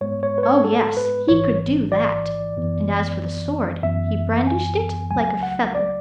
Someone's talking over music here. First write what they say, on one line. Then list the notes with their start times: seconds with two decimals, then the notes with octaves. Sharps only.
Oh yes! he could do that, and as for the sword, he brandished it like a feather.
0.01 G#2 G#3 B3 C#5
0.23 C#5
0.38 B4
0.43 C#5
0.64 A4
0.97 B4
1.28 A1 G#2 E3 C#5
1.92 D5
2.56 G#1 F#2 E3 B3
3.83 F#2 E3 B3 E5
4.47 G#5
5.10 C#2 C#3 F#3 A3 G#5
5.43 F#5
5.75 D5